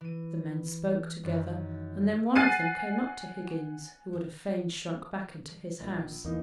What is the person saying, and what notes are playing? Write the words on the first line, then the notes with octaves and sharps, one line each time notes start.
The men spoke together, and then one of them came up to Higgins, who would have fain shrunk back into his house.
E3 D#7
F#2 D#3
F#5 G#5 F#6 A6 C7 D#7
A#1
E2 E3 A#3 D#4